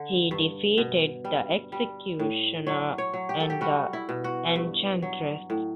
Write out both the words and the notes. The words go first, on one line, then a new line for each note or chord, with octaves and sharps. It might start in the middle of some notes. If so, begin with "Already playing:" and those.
He defeated the Executioner and the Enchantress.
Already playing: D3
G2
B2
G3
G3
A2
F#3 C#5
C#5
F#3
G4
A4
G4
G3 F#4
E4
B2
F#4
G2
F#3
A2